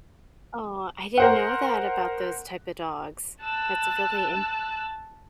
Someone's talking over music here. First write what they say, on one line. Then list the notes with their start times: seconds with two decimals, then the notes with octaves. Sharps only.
Oh, I didn't know that about those type of dogs. That's really interesting.
1.18 A#4 C5 F#5
3.41 A5 E6 F#6